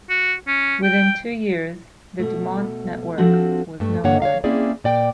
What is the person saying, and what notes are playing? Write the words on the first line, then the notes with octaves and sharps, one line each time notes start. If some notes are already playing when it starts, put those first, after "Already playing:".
Within two years, the DuMont network was no more.
F#4
C#4
G5
B2 A3
F3 C4 D4 F#4 A4
G2 A3
G2 D3 A#3 C#5 F#5
C#5 D#5 F5
A#3 C4 C#4 E4 G#4 D5
A#2 D5 G5